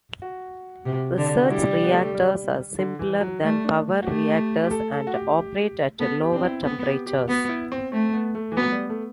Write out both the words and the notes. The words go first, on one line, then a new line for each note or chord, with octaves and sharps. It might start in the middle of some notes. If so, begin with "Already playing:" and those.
Research reactors are simpler than power reactors and operate at lower temperatures.
F#4
C3
D3
F#4
G3 E4
B3
A3
G3
D3
E3
F#3
G3 A3
D4
F#4
A3 G4
G4
A4
A4
F#4
G4
B3 A4
G4
C4 D4
E4
B3
G4
G4
B3 F#4
E4
C4
A3 C4
B3
A3
E3
F#3 B3
G3
A3